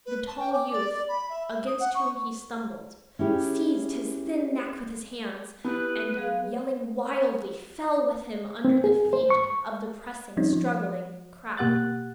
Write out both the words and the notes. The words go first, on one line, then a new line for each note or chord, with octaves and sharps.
The tall youth, against whom he stumbled, seized his thin neck with his hands and, yelling wildly, fell with him under the feet of the pressing, struggling crowd.
B4
A5
G5
D6
D5
D5
B5
E5
E5
D#6
F#5
C#6
C#4 E4 G4 G#4
B3 E4 G4 B4 B5
F#3 G#4 F5
C4
G#4
C5
C#6
F3 G3 C4 C#4 D#4
F3
B2 A#3 G4 F#5 F#6 A6